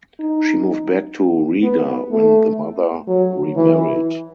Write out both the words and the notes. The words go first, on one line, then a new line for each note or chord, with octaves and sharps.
She moved back to Riga when the mother remarried.
D#4
B3
A3
F#3
E3